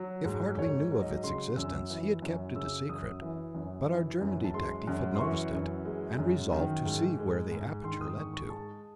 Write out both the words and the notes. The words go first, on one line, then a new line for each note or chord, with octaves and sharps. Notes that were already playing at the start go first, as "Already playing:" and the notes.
If Hartly knew of its existence, he had kept it a secret, but our German detective had noticed it, and resolved to see where the aperture led to.
Already playing: F#3
G#2
G#2 C#5
F#3
D#5
C#3 C6
F#2 E6
E3
F#2
C#3 E6
F#2 D#6
E3
F#2
E3
F#2
A5
G#3 C6
F#2
C6
E3 C#6
F#2
G#3
F#2
D#3
G#2
G#3
G#2
D#3 C6
D#6
G#2 C#6
C#6
G#3 A5